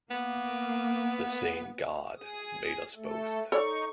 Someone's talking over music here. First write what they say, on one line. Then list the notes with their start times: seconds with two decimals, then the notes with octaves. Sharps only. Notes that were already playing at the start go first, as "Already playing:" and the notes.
The same god made us both.
0.11 A#3 B3
2.18 G#4 D#6
2.96 A3 A4
3.52 D#4 A4 C#5 D5 C#6